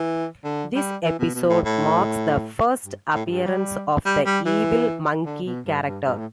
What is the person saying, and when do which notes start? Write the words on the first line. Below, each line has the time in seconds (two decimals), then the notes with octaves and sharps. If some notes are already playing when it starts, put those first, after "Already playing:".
This episode marks the first appearance of the "Evil Monkey" character.
Already playing: E3
0.44 D3
0.75 G3
1.04 E3
1.19 B2
1.35 B2
1.49 A2
1.65 A2
2.85 G2
3.15 A2
3.26 A2
3.30 G2
3.45 G3
4.05 G3
4.25 G3
4.46 E3
5.26 D3
5.46 B2
5.66 G2
5.86 G2
6.06 G2
6.18 A2